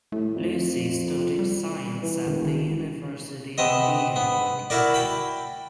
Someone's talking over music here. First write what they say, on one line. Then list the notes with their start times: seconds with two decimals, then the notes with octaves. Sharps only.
Lucey studied science at the University of Edinburgh.
0.12 A2 A3
0.36 F2
1.39 G3
2.02 E3
2.27 E1 D#3
3.58 C3 B3 D#5
4.16 B3
4.70 E4 F#4 A#4 D5
4.94 G5 B5